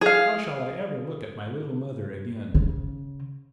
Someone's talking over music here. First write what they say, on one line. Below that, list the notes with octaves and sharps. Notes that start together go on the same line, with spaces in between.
How shall I ever look at my little mother again?
G#4 F5
C#3